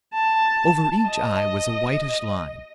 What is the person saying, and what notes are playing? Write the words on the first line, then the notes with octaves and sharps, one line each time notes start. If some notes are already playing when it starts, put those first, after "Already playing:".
Over each eye was a whitish line.
A5
D#5